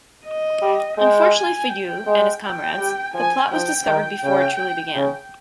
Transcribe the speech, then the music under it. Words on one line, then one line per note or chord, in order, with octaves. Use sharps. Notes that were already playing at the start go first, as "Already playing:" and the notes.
Unfortunately for Yui and his comrades, the plot was discovered before it truly began.
D#5
G3
G#3 G5
G#5
G5
G#3
G5
G3
F3 G#5
F3 G5
D#3 G5
C#3
C#3